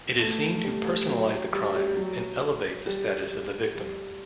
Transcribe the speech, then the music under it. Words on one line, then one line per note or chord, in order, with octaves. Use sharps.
It is seen to personalize the crime and elevate the status of the victim.
A3
G3
G3
F#3
G3
G3
F#3
G3
G3